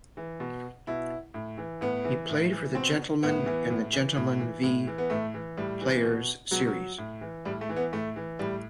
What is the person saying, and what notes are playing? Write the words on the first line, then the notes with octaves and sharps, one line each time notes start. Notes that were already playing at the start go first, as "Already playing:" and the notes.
He played for the Gentlemen in the Gentlemen v Players series.
E3
B2
B2 E4
A2
E3
A2 B3
E3
A2
E3
B2 C4
A2 B3
E3
A2
E3
A2
E3
A2
E3
B3
A2 A3
E3
A2 G3
E3
B2
B2 F#3
F#3
A2
E3
A2 G3
A3
E3
B3
A2 A3
E3
A2 G3